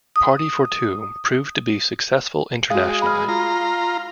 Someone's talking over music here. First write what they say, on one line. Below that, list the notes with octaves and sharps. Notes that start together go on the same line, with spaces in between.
"Party for Two" proved to be successful internationally.
D#6
G#3 F#4 F5
B5 F6
F4 A#5